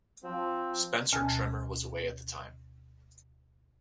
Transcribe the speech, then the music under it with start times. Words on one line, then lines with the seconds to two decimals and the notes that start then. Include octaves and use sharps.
Spencer Trimmer was away at the time.
0.24 F3 C4
1.13 D2 B2 C#4 G#5 A5 F6